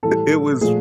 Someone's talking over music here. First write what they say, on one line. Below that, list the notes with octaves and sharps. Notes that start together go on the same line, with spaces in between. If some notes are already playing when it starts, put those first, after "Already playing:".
it was
A2 E3 G3 A4
A#2 F3 A3 G#4